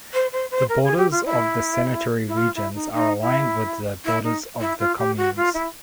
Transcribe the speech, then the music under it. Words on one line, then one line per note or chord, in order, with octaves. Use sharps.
The borders of the sanitary regions are aligned with the borders of the communes.
C5
C5
C5
A#4
G#4
G4
F4
E4
E4
F4
E4
D#4
D#4
E4
E4
D#4
E4
F4
G4
F#4
F4
E4